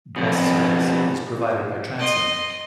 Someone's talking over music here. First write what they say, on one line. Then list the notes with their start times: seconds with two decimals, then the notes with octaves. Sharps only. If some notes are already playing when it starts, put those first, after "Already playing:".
Bus Service is provided by Translink.
0.16 F2 B2
1.99 D#5 C6